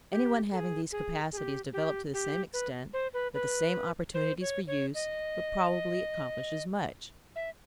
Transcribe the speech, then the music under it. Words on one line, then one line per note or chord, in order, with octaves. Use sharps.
Any one having these capacities developed to the same extent, with the same opportunities for use, would probably accomplish as much.
G4
A4
G#4
G#4
G#4
G4
G4
G4
B4
C5
B4
B4
C5
C#5
C#5
D#5
E5